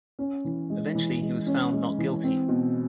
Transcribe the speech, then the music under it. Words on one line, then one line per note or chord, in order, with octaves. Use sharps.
Eventually he was found not guilty.
C#4
E3
G#3
E3
G#3
C#4
G#3
E3
C4
B2